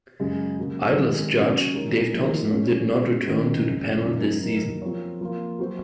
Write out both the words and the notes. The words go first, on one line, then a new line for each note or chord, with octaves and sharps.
Idols judge Dave Thompson did not return to the panel this season.
F#2 C#3 G#3
C#3 F#3 A#3
C3 D#3 G#3 C4
C#3 F#3 C#4 F#4
G#3 D#4 A#4 C#5
F3 A#3 D#4
G#3 C#4 G#4 C#5
G#3 C#4 G#4 C#5
D#3 G#3 C#4 F#4 C5
F2 C#3 G#3
F#2 C#3 G#3 D#4 A#4
F#3 A#3 D#4 F#4 A#4
F3 C4 F4 A#4 C#5
F3 A#3 F4
F#3 C4 F#4 C5